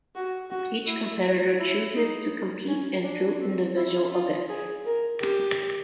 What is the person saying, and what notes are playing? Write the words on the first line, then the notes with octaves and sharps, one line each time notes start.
Each competitor chooses to compete in two individual events.
F#4
F#4
E4
E4
D#4
C#4
D4
C4
E4
F4
G#4
A#4
G4